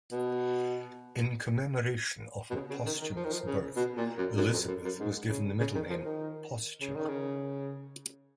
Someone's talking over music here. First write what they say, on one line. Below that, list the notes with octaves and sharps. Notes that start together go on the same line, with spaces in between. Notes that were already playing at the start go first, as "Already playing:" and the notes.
In commemoration of her posthumous birth, Elizabeth was given the middle name Posthuma.
B2
B2
C#3
C#3
D#3
D#3
F3
D#3
F3
C#3
B2
A#2
F#2
F#2
F2
F#2
F#2
G#2
C#3
C#3
D#3
F3
D#3
C#3
D#3
C#3